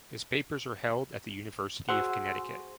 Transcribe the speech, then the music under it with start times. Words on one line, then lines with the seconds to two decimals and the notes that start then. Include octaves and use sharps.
His papers are held at the University of Connecticut.
1.89 F#4 G#4 C5 F#5 E6